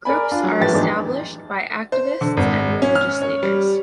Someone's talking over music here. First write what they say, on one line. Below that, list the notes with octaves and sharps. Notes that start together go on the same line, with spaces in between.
Groups are established by activists and religious leaders.
A#4 D5 G#5 B5
D4 F4
F#3
A2 F3 G4 B4 A6
E2 G#2 E3 F3 D4 D#4
C5
D3
G#1
C#4
F6
C#5
G3